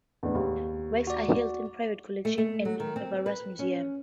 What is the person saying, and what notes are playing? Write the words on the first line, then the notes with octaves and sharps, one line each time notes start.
Works are held in private collections and in various museums.
E2 A2 D4
D#2
F#4 D5
A3
A3
F#3
D#3
C4
B4
C#4